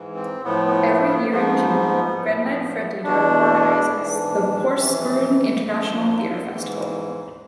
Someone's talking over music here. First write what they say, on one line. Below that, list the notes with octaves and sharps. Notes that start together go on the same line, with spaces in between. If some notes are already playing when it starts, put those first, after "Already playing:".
Every year in June, Grenland Friteater organises the Porsgrunn International Theatre Festival.
Already playing: G#2 E3
C4
A2 F3 B3
B3
A3
B3
G#2 F3 B3
A2 F3
E2 B2 D4
G#2 E3
F2 C3 E3
F2 D3 F3
G#2 E3